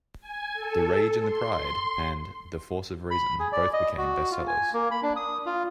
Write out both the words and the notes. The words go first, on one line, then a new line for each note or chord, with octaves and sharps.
"The Rage and the Pride" and "The Force of Reason" both became bestsellers.
G#5
A4
C6
B5
G#4
D5
D#5
F#4
F4
G#5
A#3
B5
D4
D#6
F4